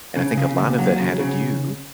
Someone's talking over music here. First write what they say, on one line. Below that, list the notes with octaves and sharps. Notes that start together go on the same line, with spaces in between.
And I think a lot of that had to do,
C#3
C#3
D#2
F#3
C#3
C#3